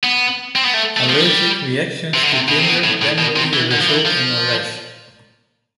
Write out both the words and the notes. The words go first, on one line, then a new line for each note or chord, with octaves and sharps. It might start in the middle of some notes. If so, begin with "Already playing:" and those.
Allergic reactions to ginger generally result in a rash.
B3
C4
B3
A3
A3
F3
G3
C3
D3
C3
B2
C3
B2
A2
A2
B2
C3
E3
D3
F3
E3
F3